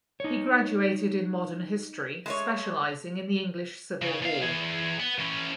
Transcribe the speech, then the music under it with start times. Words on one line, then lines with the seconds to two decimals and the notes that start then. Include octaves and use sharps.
He graduated in modern history specialising in the English civil war.
0.20 D#4 C#5
2.26 G#3 A3 C#5
4.02 C#3
4.22 E2 F5
4.42 E3 G#4
5.00 B3
5.19 E3 C#4